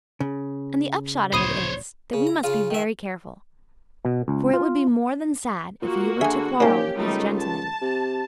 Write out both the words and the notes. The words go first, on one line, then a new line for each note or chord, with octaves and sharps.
And the upshot of it is, that we must be very careful; for it would be more than sad if you were to quarrel with these gentlemen.
C#3
D1 A#1 C5 C#5 B5 D#6 D#7
C#3
A#5
C#3 F4 F5
D#3 E5
B2
C#2
F4
A#2 A#3 F#4
D3 G#4 E5 G#5
D#2 A#2 A#3 C4 C#4 G4
C#2 G3 A3 D#4
A5
C3